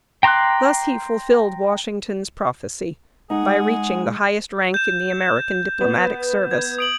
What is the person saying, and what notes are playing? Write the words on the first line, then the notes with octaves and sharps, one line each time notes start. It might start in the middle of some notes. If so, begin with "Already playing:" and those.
Thus he fulfilled Washington's prophecy, by reaching the highest rank in the American diplomatic service.
G5 A#5 C6 D6 F#6
G#3 D#4 G#4 F#5
G6 E7
B3
G#6
D#6 D7 F#7